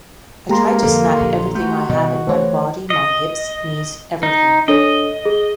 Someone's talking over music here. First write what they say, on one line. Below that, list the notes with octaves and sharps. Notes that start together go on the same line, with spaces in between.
I try to snap everything I have in my body-my hips, knees, everything.
G#3 A#3 G4 A#5 C6
F2 D3 G3 A4
A#1 D3
A3 F#4 G6
B2 D#3 G3 D#5
E3 A3 C5 C#5
D#5
D#4
D4 A4 C#5 D#5
G#4